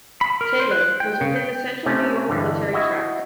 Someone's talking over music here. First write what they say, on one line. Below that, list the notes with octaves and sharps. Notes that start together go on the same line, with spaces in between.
Taylor was within the Central New York Military Tract.
B5
A#4
C5
F#6
G5
C#3
G5
C3 A3 C#4
G2 D3 E3
E4 F#4 D#5 E5